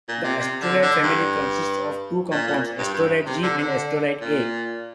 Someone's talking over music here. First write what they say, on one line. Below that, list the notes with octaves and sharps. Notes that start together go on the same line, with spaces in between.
The Astrolite family consists of two compounds, Astrolite G and Astrolite A.
A#2
C3
C3
D3
D3
G2
A#2
A#2
G2
G2
C3
D3
D3
A#2